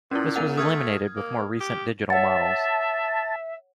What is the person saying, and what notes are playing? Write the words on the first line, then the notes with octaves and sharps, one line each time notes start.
This was eliminated with more recent digital models.
A#2 C#4 E4
B3 A#4 F#5
A3 D#6 F6 G#6
A#3
G4
C#5 E5 F#5 A5